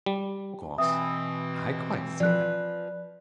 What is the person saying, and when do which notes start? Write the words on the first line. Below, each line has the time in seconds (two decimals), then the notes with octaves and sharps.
Of course I quite see that.
0.06 G3
0.78 B2 E3 C4 E5 D#6
2.20 F3 B4 D5 F#6